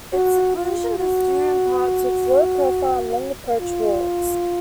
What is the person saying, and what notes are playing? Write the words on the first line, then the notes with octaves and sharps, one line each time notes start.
Its seclusion is due in part to its low profile and long approach walks.
F#4
F4
F#4
F4